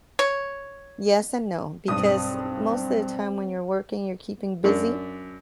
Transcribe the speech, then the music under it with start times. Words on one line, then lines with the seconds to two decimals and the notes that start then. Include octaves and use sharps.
Yes and no, because most of the time when you're working, you're keeping busy,
0.19 C#5
1.88 B1 G2 C4 D#6
4.64 F#2 D4